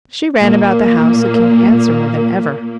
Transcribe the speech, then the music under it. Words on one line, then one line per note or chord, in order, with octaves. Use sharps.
She ran about the house looking handsomer than ever.
A#2 A#3